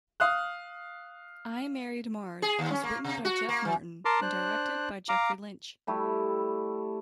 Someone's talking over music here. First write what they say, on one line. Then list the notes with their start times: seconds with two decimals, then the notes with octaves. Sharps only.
"I Married Marge" was written by Jeff Martin and directed by Jeffrey Lynch.
0.20 F5 D#6 F#6
2.42 G#4
2.59 D#2
2.71 C#4
2.83 A#3
3.04 C3
3.25 F#4
3.49 A#3
3.65 E3
4.05 A#4 A5 A#5 C6 D6
4.22 D4 C5 F#6
5.09 F5 A#5 D6
5.87 G3 A3 E4